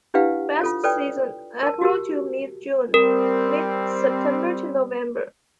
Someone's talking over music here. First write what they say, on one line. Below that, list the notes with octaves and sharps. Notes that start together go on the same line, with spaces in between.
Best Season: April to Mid-June; Mid-September to November.
D4 E4 G4 B4 F5 F#5
F4 A4 C#5
A4 B4 C#5 D5 G5
A#4 A5
F#4 G4 A#4
G3 C4 A#4